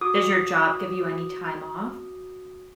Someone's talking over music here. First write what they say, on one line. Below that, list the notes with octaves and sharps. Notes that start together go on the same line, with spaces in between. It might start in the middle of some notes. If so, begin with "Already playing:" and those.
does your job give you any time off?
F#4 D6 D#6